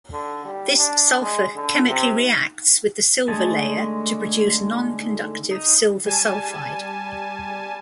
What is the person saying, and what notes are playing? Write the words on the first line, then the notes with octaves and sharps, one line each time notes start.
This sulfur chemically reacts with the silver layer to produce non-conductive silver sulfide.
D3
G3
D4
G#3
D3
C3
D3 G#3 A3 G#4 A5
D#4
G3 G#5 A5